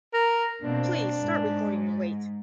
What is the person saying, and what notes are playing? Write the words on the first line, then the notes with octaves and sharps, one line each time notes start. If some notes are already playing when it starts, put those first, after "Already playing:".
Please start recording your weight.
A#4
B2 A#3 C4 D4
G#2